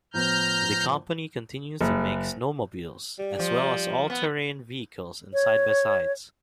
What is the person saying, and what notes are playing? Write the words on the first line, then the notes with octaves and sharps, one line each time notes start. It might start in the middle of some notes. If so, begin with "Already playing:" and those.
The company continues to make snowmobiles as well as all-terrain vehicles and side-by-sides.
A2 F3 B3 A#5 F6 G6
F#1
G3
F3
B3
C#5